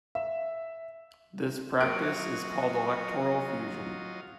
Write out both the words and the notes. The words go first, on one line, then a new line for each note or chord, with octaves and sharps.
This practice is called electoral fusion.
E5
F#3 A#3 F4 F#4 D#5 F#6 D7